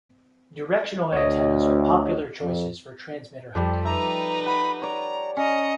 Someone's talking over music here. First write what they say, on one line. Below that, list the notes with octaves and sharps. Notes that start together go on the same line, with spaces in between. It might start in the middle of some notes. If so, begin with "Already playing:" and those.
Directional antennas are popular choices for transmitter hunting.
D2 C#5 D#5
F2
F2 G3 G4 A4
D#4 B4 E5 A#5
F#5 B5
C#5 D5 A#5
C#4 D#5 A#5 B6 C#7